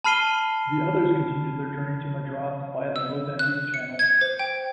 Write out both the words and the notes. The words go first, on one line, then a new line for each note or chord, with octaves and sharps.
The others continued their journey to Madras via the Mozambique Channel.
A5 B5 F6 C7 D#7 G7
E6
F#6
C#7
G#6
C5
G5